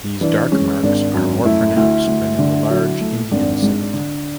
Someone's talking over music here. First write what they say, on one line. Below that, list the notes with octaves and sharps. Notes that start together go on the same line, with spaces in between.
These dark marks are more pronounced than in the large Indian civet.
E3 D4
G#3 C#4
G#1 D4
F#2
A3 E4
D2 E4
D2
D3
F#3
A3
G#1 D4
G#2
D3